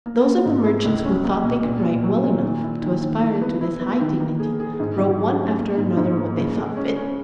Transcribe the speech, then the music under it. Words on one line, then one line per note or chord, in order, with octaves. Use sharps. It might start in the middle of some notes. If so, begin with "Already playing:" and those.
Those of the merchants who thought they could write well enough to aspire to this high dignity, wrote one after another what they thought fit.
A#3
A#3
G#2
E4
C#2
C#4
A#3
B2
A#2
A#2
F#3
A#2
D#3
E4
D#3
D#3
E3
B3
E4
B3
D#3
A#3
G#4
G#4
G#2
G#2
F#3
C#4
A#3
G#2
G#2
A#3
C#3
G#3
C#4
C#4